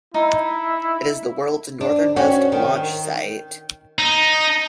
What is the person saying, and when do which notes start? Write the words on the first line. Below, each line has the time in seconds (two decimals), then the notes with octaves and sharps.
It is the world's northernmost launch site.
0.14 D#4 E4
1.81 D4
2.16 C#4 F#4
2.52 D#3
3.98 D#4